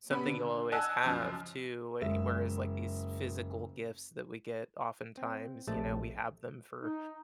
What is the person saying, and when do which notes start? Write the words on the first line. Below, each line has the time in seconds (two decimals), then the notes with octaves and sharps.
Something you'll always have too, we whereas like these physical gifts that we get oftentimes, you know, we have them for,
0.11 C3 B3 C#4 B5
0.26 D3
0.72 D#5 F#5 G#5 A5 E6 F#6
1.03 C#2 F#2 F3 F6
2.01 F#1 G#3 E5
5.17 C4
5.67 A#1 C3 A3 D#5 A5
6.81 D#4